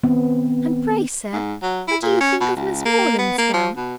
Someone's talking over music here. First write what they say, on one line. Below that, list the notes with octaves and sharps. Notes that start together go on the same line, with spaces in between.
"And pray, sir, what do you think of Miss Morland's gown?"
D#3 B3 C4
G#2
F#3
E4
A#2
C#4
B2
C#2
A#3
B3
A#3
F3
B2